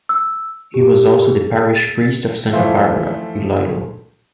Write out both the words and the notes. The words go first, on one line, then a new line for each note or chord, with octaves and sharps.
He was also the parish priest of Santa Barbara, Iloilo.
E6
G4
G#4
A6
E3 F3 A3 F4 C5 E5